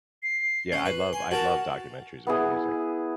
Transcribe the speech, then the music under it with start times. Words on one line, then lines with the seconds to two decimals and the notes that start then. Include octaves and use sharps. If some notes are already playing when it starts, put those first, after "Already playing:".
Yeah, I love I love documentaries about music.
0.23 C7
0.72 C#4
0.86 B4
1.13 G#5 C6
1.31 F#4 A#4 A5
2.27 B3 E4 G#4